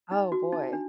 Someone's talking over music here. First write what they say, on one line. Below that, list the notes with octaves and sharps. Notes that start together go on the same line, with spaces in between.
Oh, boy.
D#4
F#4
D#4
D4